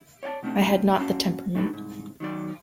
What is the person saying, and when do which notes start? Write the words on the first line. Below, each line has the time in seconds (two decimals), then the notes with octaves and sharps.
I had not the temperament.
0.23 C#5 D5 F#5 A5
0.43 B2 A3 C4 D4
0.98 A#3 C#4 F#4 F5 A5 A#5
1.55 A3 D4 D#4 F#4 G4 B4
1.73 C2 G#2
2.20 D#3 F#3 D5